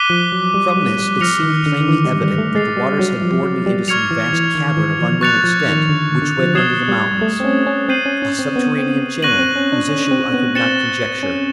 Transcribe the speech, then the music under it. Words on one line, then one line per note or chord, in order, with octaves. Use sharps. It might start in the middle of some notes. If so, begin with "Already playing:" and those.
From this it seemed plainly evident that the waters had borne me into some vast cavern of unknown extent, which went under the mountains--a subterranean channel, whose issue I could not conjecture.
Already playing: D6 F#6 B6 D#7 G7
F3
F#3
G3
G3
G3
F3 F6 A#6 C#7 F7
D#3
D3
D#3
E3
G3
G3
A3
G#3 A6 C7 F7
G3
F#3
F3
F#3
G3
F#3 C#6 F6 G#6 C#7 F7
E3
E3
D#3
E3
F3
F#3 C#6 F#6 A6 C#7 F7
F3
D#3
D3
D3
F3
F#3 D#6 G#6 C7 E7 G7
G3
A3
C4
C#4
C#4
C4 G6 C7 D#7 F#7
C#4
C#4
C4
B3
C4
B3 C#6 F#6 A#6 D#7 F#7
C4
C#4
D4
C#4
C4
B3
C4 A6 C#7 E7 G7
C#4